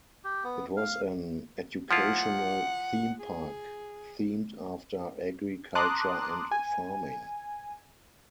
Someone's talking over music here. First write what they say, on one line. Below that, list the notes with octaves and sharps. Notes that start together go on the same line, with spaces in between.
It was an educational themepark themed after agriculture and farming.
G4
B3
F5
F3 E4 F4 F#5
G#4
A5 A#5 C6 D6 D#6 F#6
G#5